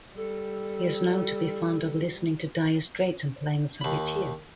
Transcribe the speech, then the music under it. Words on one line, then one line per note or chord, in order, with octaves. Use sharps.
He is known to be fond of listening to Dire Straits and playing Subbuteo.
G3 A4
D#2 B5